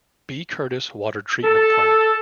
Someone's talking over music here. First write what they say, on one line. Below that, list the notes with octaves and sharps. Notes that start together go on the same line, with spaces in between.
B. Curtis Water Treatment Plant.
A4